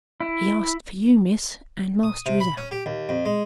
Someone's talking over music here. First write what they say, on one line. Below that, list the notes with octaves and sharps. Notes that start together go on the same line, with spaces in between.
'He asked for you, miss; and master is out.'
E4
D#6
C3
B5
C#4
G4
D#2
F2
G#3